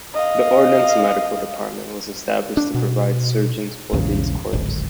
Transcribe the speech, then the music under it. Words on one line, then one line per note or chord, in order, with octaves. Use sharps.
The Ordnance Medical Department was established to provide surgeons for these corps.
D#5 F5
D4
B2
A#1 E2 G#2 C#3
D1 G#1